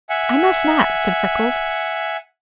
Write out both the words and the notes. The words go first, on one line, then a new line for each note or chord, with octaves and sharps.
"I must not," said Freckles.
E5 F#5 G#5